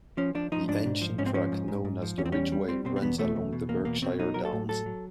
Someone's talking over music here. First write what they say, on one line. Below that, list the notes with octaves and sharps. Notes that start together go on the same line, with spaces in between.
The ancient track known as the Ridgeway runs along the Berkshire Downs.
F3 C#4
F3 D4
F3 D#4
G#2 D4
G#2
F3
G#2 C#4
C4
F3 C#4
G#2
G#2
G#2
F3
E2 C#4
C4
G3 C#4
G3
G3 C4
B2 C4
C4
E2 B3
B2 A3
E2
B2
E2 A#3
B2 A#3
B2 C4
F#3 D#4
F#3 A#4
A4
A2
F#3 A4
F#3